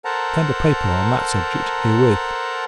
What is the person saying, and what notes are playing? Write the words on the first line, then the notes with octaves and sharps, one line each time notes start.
I send a paper on that subject, herewith.
A4 A#4 C5 F#5 A5 A#5